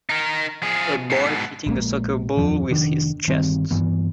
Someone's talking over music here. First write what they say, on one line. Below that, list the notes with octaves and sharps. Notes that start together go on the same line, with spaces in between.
A boy hitting a soccer ball with his chest.
D#4 A#4
F3 G#4
G#2 B2
A#1 G#3 A#3
D#1 F2 F3
F1 D#3 D4
G1 D#3 G3 C4
G2 E3 B3